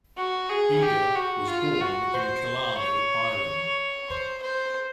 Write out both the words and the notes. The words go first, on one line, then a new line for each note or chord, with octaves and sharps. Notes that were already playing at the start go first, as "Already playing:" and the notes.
Eagar was born in Killarney, Ireland.
F#4
G#4
G4
F#4
F4
F#4
C5
C#5
C5
C5